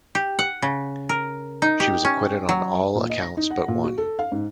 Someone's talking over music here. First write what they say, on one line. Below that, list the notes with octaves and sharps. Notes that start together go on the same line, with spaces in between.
She was acquitted on all accounts but one.
G4
F#5
C#3
A#4
D#4
G4
C#4
F#3
A#2
D#5
A#6
D#4
F#5
A#2
F#4
A4
F5
G#2